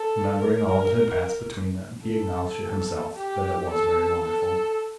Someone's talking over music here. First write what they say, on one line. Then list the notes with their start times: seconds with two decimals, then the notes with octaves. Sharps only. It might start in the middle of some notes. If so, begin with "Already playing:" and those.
Remembering all that had passed between them he acknowledged to himself that it was very wonderful.
Already playing: A4
0.40 A#4
2.05 A4
3.15 G4
3.70 A4
4.24 A4